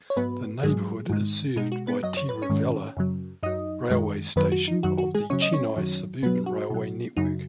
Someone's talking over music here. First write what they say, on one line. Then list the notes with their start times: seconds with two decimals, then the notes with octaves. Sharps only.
The neighborhood is served by Tiruvallur railway station of the Chennai Suburban Railway Network.
0.10 C#5
0.16 G#2 F#3 B3 B4
0.63 G#2 F#3 G#3 G#4
1.10 G#2 D#3 G#3
1.56 B2 G#3 D#4
1.72 F#4
1.87 B3 B4
2.03 F#2 F#3 D#5
2.17 C#5
2.29 B4
2.42 C#4 C#5
2.49 G#2 D#3 G#3
2.97 F#2 C#3 F#3
3.43 F#2 F#3 D#4 D#5
3.90 F#2 D#3 G#3
4.36 F#2 D#3 F#3 B3 B4
4.52 F#4
4.68 D#4
4.83 F#2 D#3 F#3 F#4
4.98 F#4
5.15 G#3 G#4
5.30 F#2 C#3 F#3 C#4 C#5
5.42 D#5
5.53 C#4 C#5
5.76 F#2 D#3 F#3
6.23 B2 F#3 B3 B4
6.46 F#4
6.70 B2 F#3
7.17 F#2 C#3 F#3 D#4